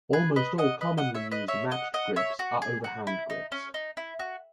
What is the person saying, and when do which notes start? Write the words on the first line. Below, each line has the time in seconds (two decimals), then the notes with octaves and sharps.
Almost all commonly used matched grips are overhand grips.
0.13 G#4 B4
0.36 B4 D#5
0.58 D#5 F#5
0.81 B4 D#5
0.97 D#5 F#5
1.14 C#5 E5
1.31 B4 D#5
1.48 C#5 E5
1.71 D#5 F#5
1.94 D#5 F#5
2.16 C#5 E5
2.39 F#4
2.62 G#4
2.84 F#4
3.07 E4
3.30 D#4
3.52 C#4
3.74 D#4
3.97 E4
4.19 F#4